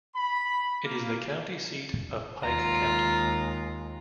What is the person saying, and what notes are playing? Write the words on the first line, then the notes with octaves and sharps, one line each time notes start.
It is the county seat of Pike County.
B5
A#3
D#2 G#3 F4 A#5